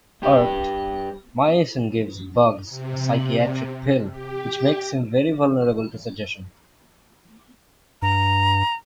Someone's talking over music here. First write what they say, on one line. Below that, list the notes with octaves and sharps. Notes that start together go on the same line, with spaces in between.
Irked, Myicin gives Bugs a psychiatric pill which makes him very vulnerable to suggestion.
G2 G4
C3
G4
G2 A#5